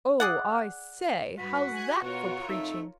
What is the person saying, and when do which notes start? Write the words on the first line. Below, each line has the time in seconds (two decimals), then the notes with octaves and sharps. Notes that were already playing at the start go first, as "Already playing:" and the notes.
'Oh, I say; how's that for preaching?
0.20 G#4 D5 F#5
1.38 G2 F#4 B4 B6
1.74 G#5 F#6 G#6
2.02 B2 F4 A#4 C#5 C#6
2.49 F2 A3 D#4 E5 E6